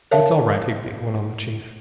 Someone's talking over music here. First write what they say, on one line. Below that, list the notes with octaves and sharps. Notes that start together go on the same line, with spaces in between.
"That's all right, Higby," went on the chief.
A#4 C#5 E5 F5 A5